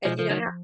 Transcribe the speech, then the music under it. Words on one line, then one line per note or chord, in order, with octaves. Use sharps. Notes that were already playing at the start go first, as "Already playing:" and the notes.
uh, you know how
B2 F3 G#3
C#3 F3
D#3 F#3
F3